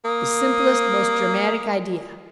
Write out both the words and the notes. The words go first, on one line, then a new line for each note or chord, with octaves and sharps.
The simplest, most dramatic idea.
A#3 D#6